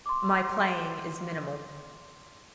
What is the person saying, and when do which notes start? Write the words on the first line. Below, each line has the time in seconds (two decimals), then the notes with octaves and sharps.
My playing is minimal.
0.06 C6 D6